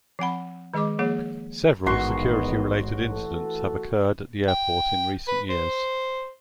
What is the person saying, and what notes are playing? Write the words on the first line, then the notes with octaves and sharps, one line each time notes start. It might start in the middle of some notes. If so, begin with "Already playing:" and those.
Several security-related incidents have occurred at the airport in recent years.
F3 C4 F#5 B5
D#3 G#3 G#4 D#5 D6
F3 A#3 G#4 C#5
A1 E2 G#2 D#3 B3 F#4 C6 C#6
E3 A3 A4
G5
B4
C5